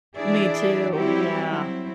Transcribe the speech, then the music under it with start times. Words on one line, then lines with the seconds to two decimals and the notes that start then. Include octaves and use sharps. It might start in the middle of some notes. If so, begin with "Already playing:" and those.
Me too, yeah.
0.16 E3 D4 E4 G#4 D5 E5
0.93 F#3 G3 C4 E4 F#4 G4
1.49 F#3 C4 E4